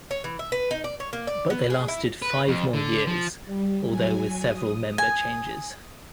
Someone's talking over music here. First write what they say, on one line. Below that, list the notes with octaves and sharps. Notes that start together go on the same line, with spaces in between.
But they lasted five more years, although with several member changes.
C#5
E3
E5
B4
D#4
D5
C#5
A#3
D5
B3
G#4
E4
B4
F2
D3
F3
G3
F#3 G#5
D#6
G#5